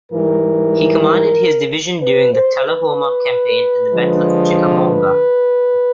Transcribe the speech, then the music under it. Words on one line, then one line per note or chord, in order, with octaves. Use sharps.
He commanded his division during the Tullahoma Campaign and the Battle of Chickamauga.
G#2 E3 G3 A#4
B4
C5
B4
D3 F3 G#3
B4